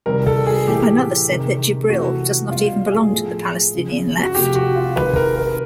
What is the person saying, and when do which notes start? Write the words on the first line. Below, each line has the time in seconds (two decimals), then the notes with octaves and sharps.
Another said that Jibril does not even belong to the Palestinian Left.
0.06 C3 D#3 G3 A#4
0.26 A4
0.47 G#4
0.67 A2 E3 A3 G4
1.28 C3 D#3 G#3
1.90 C3 E3 A3 F#4
2.51 B2 G3 F4
2.92 G#4
3.12 A2 F3 A3
3.73 C#3 F3 G#3
4.23 F#4
4.35 C3 F3 A3 G4
4.55 F#4
4.76 F4
4.96 C3 D#3 G#3 B4
5.16 A#4
5.37 A#4